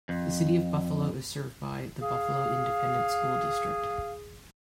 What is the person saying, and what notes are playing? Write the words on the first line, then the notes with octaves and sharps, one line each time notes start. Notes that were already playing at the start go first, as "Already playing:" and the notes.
The City of Buffalo is served by the Buffalo Independent School District.
F2
G#4 F5